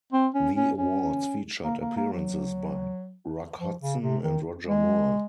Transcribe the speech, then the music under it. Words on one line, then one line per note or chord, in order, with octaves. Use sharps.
The awards featured appearances by Rock Hudson and Roger Moore.
C4
C#4
C#4
C#4
A#3
A#3
A#3
F#3
F3
C#3
C3
D#3
G#3